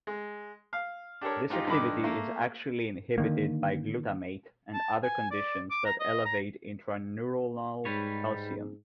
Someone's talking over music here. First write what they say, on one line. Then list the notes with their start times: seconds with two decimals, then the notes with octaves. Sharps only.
This activity is actually inhibited by glutamate and other conditions that elevate intraneuronal calcium.
0.07 G#3
0.73 F5
1.21 D4 G4 A4 A#4 C#5
1.50 G#2 D#4 F4 G4
1.67 G2 D3 D#4 B5 D6
2.04 A3 A#3
3.18 D3 D#3 A#3
4.74 A5
5.03 G#5
5.31 D5
5.70 D6
5.85 A#5
6.00 D#5
6.25 A#5
7.85 G#2 G3 B4 C#5